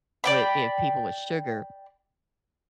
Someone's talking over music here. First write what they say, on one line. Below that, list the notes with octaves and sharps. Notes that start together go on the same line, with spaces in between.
wi if people with sugar,
D5 G5 B5